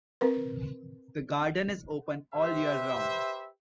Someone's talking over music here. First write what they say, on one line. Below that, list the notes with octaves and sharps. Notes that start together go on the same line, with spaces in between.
The garden is open all year round.
C4 A#4 B4
G4 B4 C5 E5